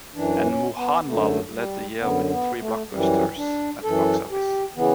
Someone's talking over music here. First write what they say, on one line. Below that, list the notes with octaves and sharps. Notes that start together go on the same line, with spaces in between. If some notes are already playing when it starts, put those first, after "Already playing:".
And mohanlal led the year with three blockbusters at the box office.
F#2 E3 D4
C#4
B3
F#2 D3 A3
G3
F#2 D3 B3
B3
A3
F#2 E3 G3
D4
F#2 E3 A4
G4
C#3 E3 B3